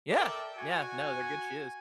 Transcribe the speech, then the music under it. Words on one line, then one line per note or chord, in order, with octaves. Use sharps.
Yeah. Yeah. No, they're good shoes.
A4 A#4 D5 E5 G5 A5
F#4 G#5